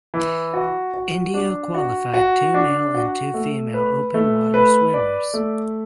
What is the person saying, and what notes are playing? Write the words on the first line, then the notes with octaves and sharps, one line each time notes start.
India qualified two male and two female open water swimmers.
E3
F#4
F#4
D4
F#4
F#4
D4
F#4
A3
B4
A3
B4
D5
A3